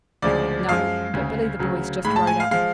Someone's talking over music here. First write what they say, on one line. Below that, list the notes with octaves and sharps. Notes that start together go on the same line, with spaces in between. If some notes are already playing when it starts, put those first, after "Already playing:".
'No; but Billy the Boy's just rode up.
D2 C#3 F3 G#3 D5
F#2 F3 G#3 F5
D2 C#3 G#3
D2 C#3 F#3
A2 G#3 B5
A5
G#5
F5
F3 G#3 F5